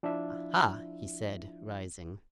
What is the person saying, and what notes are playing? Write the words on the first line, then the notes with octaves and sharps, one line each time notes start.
"Aha!" he said, rising.
F3 D4 E4 F4 E5